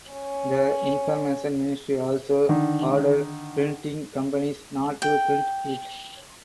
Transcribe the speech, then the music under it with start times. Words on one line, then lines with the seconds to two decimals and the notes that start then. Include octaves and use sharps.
The information ministry also ordered printing companies not to print it.
0.11 C#4
2.49 D3 D#3
5.02 G5